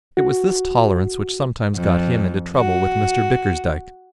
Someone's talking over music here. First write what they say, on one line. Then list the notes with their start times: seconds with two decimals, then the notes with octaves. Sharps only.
It was this tolerance which sometimes got him into trouble with Mr Bickersdyke.
0.17 F#4
1.76 F2
2.57 F#4